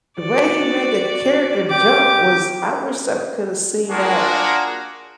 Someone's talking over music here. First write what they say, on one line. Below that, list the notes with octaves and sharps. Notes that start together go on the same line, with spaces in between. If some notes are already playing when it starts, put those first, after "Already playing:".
The way he made the character jump was I wish I could have seen that
F#4 D5
G4 D6
A#3 D4 F4 F#4 G#4 A#4